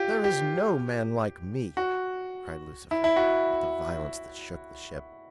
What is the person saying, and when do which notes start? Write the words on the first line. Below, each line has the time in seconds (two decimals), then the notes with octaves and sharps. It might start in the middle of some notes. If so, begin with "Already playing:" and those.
"There is no man like me," cried Lucifer, with a violence that shook the ship.
Already playing: F4 G4
0.24 G4
1.77 F#4
2.91 E4
3.04 E4
3.16 F#4